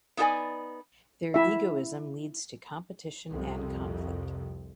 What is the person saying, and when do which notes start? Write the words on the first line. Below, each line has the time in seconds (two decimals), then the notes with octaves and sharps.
Their egoism leads to competition and conflict.
0.17 B3 D#4 F4 A4 D5 G#5
1.34 E4 E5
3.31 C2 F2 C3